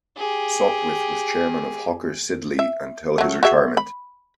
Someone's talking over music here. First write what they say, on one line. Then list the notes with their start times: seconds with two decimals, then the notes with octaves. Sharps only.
Sopwith was Chairman of Hawker Siddeley until his retirement.
0.17 G4 G#4
2.59 E5
3.18 F#3 A3
3.43 F#4 G#4 E5
3.77 B5